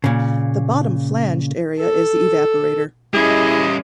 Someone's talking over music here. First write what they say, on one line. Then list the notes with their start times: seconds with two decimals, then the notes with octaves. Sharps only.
The bottom flanged area is the evaporator.
0.04 A#2 C#3
1.80 A4
3.14 G3 C#4 E4 G#4 D#5